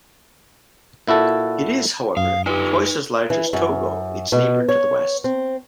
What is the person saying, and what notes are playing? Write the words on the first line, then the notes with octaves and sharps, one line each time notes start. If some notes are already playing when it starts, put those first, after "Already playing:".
It is, however, twice as large as Togo, its neighbor to the west.
A#2 E4 F#4 A4
F#2 F5 D#6
D4 D#4 F4 G4 B4
E3
F#2
B2
C#5
C4